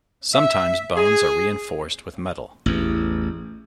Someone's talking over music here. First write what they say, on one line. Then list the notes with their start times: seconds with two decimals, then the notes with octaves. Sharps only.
Sometimes bones are reinforced with metal.
0.34 E5
0.96 G#4
2.66 A1 E2